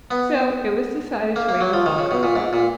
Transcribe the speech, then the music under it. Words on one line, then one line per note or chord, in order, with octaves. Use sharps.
So it was decided to wait no longer.
B3
A#3
A#3
F#3
F3
D#3
C#3
B2
A#2
G#2
A#2